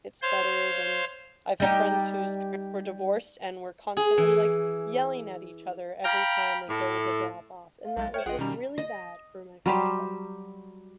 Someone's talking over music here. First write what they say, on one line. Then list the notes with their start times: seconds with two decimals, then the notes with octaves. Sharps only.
it's better than I've had friends whose parents were divorced and were constantly, like, yelling at each other every time, like, there was a drop off, and that was just really bad for my friend growing.
0.22 C5 C#5 F5 C6
1.60 G3 D#4 G4
3.97 G#4
4.18 E3
6.04 F5 G5 A#5 B5
6.68 A2 A4
7.84 F5
7.97 B1 G#3 A6
8.14 C5 C#5 E5 G5 F6
8.26 A#1 F4 G#4 D#5 F#5 G5
8.39 B2 D#3 G3 C#4 A#5
8.78 D#5
9.66 F#3 G3 G4 C5